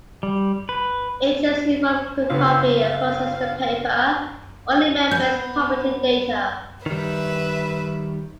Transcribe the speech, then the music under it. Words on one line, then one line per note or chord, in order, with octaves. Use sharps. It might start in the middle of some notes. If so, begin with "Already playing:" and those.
Agents involved could copy and process the paper- or email-based property data.
G3
B4
C#2 D3 B3 F5
B3 G6
D#3 G3 B4 E5